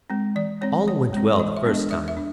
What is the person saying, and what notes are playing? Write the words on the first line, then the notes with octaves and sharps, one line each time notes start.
All went well the first time.
G#3 C4
E3 D5
G#3 C4 C#5
E3 C#5
G#3 C4
E3 D#5
E5
G#3 B3 D4
D#5
E3 E5
E5
D4